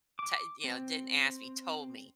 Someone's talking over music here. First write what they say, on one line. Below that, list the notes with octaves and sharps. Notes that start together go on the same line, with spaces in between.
To you know, didn't ask me, told me.
D6
C4